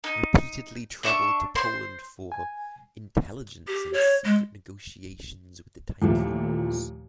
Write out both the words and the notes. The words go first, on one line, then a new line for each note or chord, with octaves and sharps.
Repeatedly traveled to Poland "for intelligence and secret negotiations with the tycoons".
D#4
D4 E5 C#6
C5 C6
G#5
G4
C#5
G#3
D#2 A#2 E3 F3 A3